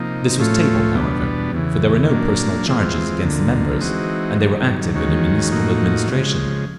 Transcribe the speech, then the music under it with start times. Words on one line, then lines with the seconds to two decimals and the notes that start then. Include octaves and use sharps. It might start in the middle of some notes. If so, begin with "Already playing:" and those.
This was tabled, however, for there were no personal charges against the members, and they were active in the Municipal administration.
Already playing: C3 F3 A#3 D#4
0.38 A2 F3 A3 C#4 F4
0.95 E2 B2 G3 B3 D4
1.53 E2 C#3 E3
2.09 A#2 F#3 A#3 D4
2.66 E3 G#3 C4 F4
3.24 D2 D3 F3 A#3
3.81 E3 G#3 C4 D#4 F#4
4.37 G2 D#3 F#3
4.94 D#2 D#3 G#3 C#4 F#4
5.51 A2 F3 A#3 D#4 F#4
6.08 C#3 F3 G#3